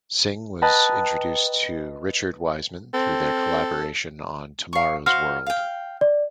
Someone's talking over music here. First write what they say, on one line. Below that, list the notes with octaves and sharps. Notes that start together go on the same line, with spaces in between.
Singh was introduced to Richard Wiseman through their collaboration on"Tomorrow's World".
B4 D#5 G5 A5 A#5 F#6
C4 A4
F5 C#6
F#4 C5 F5 F6
F5 G5
D5